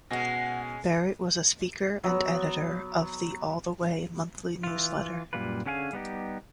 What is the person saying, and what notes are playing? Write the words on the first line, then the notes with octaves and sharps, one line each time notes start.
Barrett was a speaker and editor of the "All The Way" monthly newsletter.
B2 G#3 C#4 F#5 G#5 A#6
F#3 B3
E3 F4
F#2 A#2 G3 A#3 F4 B4
D3 C#4 G#4 F5 G5 G#5
G3 B3 D#4 G4